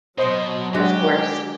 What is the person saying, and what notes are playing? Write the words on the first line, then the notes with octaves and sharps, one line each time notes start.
Of course.
B2 F#3 C5 D#5
D3 G#3 F#4 G4